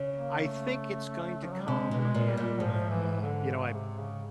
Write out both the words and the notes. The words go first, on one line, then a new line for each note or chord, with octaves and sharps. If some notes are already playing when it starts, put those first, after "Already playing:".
I think it's going to come and, uh, you know, I b
Already playing: C#3
A#3
A3
F3
F#3
G3
C3 G#3
B2
G#3
A#2
G3
A#2
G#2 F3
E3
D3
C#3
C3
C#3